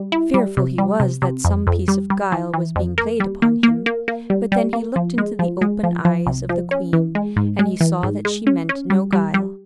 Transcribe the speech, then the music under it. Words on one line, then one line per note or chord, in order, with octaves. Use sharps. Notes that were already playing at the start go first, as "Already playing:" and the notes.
Fearful he was that some piece of guile was being played upon him, but then he looked into the open eyes of the queen and he saw that she meant no guile.
Already playing: G3
E4
G3
C3
G3
C3
C3
F2
F2
G3
G3
E3
E3
F2
A#3
G3
A#3
A#3
A#3
A#3
G3
G3
A#3
F3
G#3
F3
G#3
F3
F3
C2
F3
C#4
E3
G#3
G#2
G#3
E3
G#2
G#3
C#4
C#4
G3
G3
G3